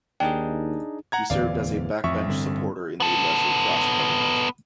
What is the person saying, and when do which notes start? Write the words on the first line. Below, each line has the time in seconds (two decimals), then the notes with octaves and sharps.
He served as a backbench supporter in the Leslie Frost Government.
0.20 D#2 D4 D#4 G#4 G5
1.12 F#5 A#5 G#6
1.30 D1 E2 E3 D5 F5
2.04 A1 F2 E5 C#6
2.28 G2 D3 C4
3.00 B3 A4